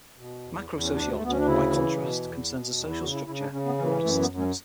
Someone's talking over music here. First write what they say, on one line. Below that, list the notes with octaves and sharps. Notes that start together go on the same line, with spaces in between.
Macrosociology, by contrast, concerns the social structure and broader systems.
B2
E2
E2
C#4
D2 D4
A3
D2 B3
C#4
D4
C#3 E4
E3
B2
E2
B2
E2
E4
C#3 F#4
E4
C#3 E4
D4
C#3 C#4
B3
E3 C#4
C#4
F#2 A3
B3
F#2
C#4